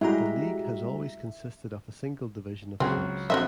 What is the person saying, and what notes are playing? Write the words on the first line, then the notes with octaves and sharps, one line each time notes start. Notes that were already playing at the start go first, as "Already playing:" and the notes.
The league has always consisted of a single division of clubs.
G3 G#3 E4 F#4 G4 E5 A#5
C#2 F#3 C4 G#4
A#1 F#3 C4 D#5 E5 F#6